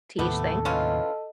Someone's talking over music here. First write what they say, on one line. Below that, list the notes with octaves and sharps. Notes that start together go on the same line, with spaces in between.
to each thing?
D#2 A2 C3 G3 A3 B3 A4
E3 C#4 F4 D#5